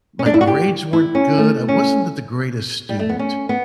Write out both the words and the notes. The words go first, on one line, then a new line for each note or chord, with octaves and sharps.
my grades weren't good, I wasn't the the greatest student,
C#4
D4
E4
F#4
G4
E4
C#4
A3
C#4
G3
A3
B3
C#4
B3